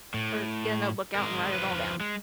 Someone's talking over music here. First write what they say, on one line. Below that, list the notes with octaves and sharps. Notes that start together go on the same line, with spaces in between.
or get a notebook out and write it all down.
A2
G#3 A#4
F3 B4
G#3